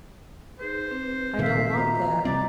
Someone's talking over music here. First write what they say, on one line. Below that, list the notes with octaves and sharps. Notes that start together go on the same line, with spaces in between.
I don't want that.
D#4 G#4 B4 C5
C4 B4
A#2 D#3 A#3 E5 F5
F4 F#4 D#5 A#5
C3 G3 C4 D5